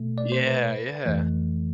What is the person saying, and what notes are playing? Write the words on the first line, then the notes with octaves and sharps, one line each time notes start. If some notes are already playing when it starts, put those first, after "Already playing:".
Yeah, yeah,
Already playing: B2 A3
D5
C5
B4
F2 E3 A3